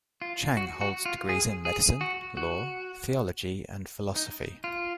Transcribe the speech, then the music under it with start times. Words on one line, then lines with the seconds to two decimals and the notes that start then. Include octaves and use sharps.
Chang holds degrees in medicine, law, theology and philosophy.
0.22 F4
0.57 F#4
0.81 F#4
1.05 F4
1.29 G#4
1.65 G#4
2.01 F#4
2.37 F#4
4.16 D#4
4.64 F4